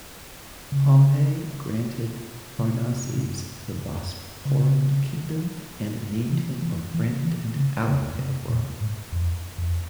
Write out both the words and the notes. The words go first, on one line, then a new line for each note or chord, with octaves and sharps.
Pompey granted Pharnaces the Bosporan Kingdom, and named him friend and ally of Rome.
C#3
C3
C#3
E3
E3
E3
E3
C#3
C#3
C3
A#2
G#2
F2
F2